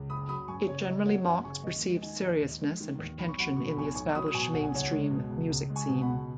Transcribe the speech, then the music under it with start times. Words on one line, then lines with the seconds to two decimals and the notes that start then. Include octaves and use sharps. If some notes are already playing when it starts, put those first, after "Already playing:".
It generally mocks perceived seriousness and pretension in the established mainstream music scene.
Already playing: C#2
0.10 F#1 B5 D#6
0.29 F#3 B5 D#6
0.48 F#2 G#5 C#6
0.67 F#1 C#5
0.87 F#1 D#5
1.05 F#3 C#5 F#5
1.25 F#2 C#5 F#5
1.44 F#1 G#5 C#6
1.64 D#2 D#5
1.83 G#3
2.02 D#3 D#5 G#5
2.22 D#2
2.41 D#2
2.61 G#3
2.80 D#3
2.99 D#2
3.18 B1 B5
3.28 C#6
3.38 F#3 F#5 B5
3.57 B2 C#6
3.68 B5
3.77 B1 G#5 C#6
3.95 B1 G#5 C#6
4.15 F#3 B5 D#6
4.28 D#6
4.34 B2 G#5 C#6
4.53 B1 F#5
4.64 G#5
4.73 C#2 C#5 F#5
4.92 G#3
5.11 B2
5.30 C#2
5.50 C#2
5.70 G#3
5.76 G#5 C#6
5.88 B2
6.01 F#5 B5
6.08 C#2